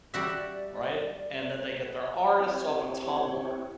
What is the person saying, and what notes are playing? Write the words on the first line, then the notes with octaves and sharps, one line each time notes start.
right? And then they get their artists off of Tumblr,
G3 F#4 D5 E5
C4 E4 G4 C#5